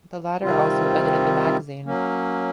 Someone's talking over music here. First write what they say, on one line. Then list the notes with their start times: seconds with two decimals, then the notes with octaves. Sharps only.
The latter also edited the magazine.
0.43 C3 D#3 G3 C4 F4
1.85 F#3 A#3 C#4